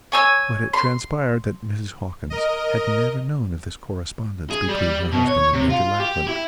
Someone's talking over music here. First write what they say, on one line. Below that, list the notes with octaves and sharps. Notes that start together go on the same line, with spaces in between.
But it transpired that Mrs. Hawkins had never known of this correspondence between her husband and Major Lackland.
C#5 G#5 E6
C6
A#4 D#5
G#4
G3
B2
C#5
C3
F4
G4
E4